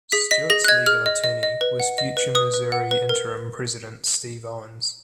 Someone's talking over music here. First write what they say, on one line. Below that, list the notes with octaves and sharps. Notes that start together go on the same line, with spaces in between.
Stewart's legal attorney was future Missouri interim president Steve Owens.
G#4 B6
D#5 B6
G#4 A#6
F#6
D#5 G#6
G#4 F6
D#5
D#5
D#5
B4
F#5
D#5
B4
B4 D#6
B4
F#5
B4
A#4